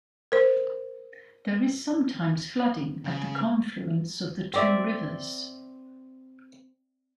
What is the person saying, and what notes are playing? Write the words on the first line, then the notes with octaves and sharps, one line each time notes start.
There is sometimes flooding at the confluence of the two rivers.
A#4 C5
C#3
C4 D5 E5